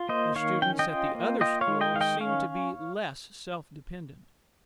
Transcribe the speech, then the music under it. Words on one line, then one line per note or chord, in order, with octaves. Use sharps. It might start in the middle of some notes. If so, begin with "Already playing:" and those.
The students at the other school seemed to be less self-dependent.
Already playing: F4
A#3 C5 D#5
D#3 C#5 F5
C#4 G5
D#5 G5
F4
A#3
F4 D#5 G5
C#5 F5
G#3
D#5 G5
D#3 F5
D#5 G5
C#4 C#5 F5